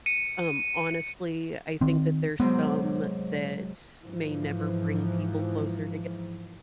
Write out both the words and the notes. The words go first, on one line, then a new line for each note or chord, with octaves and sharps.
um, honestly, I think that there's some that may never bring people closer toge
C#7 D#7
D#3 C4
G#2 C3 F#3 B3
G#2 E3 F3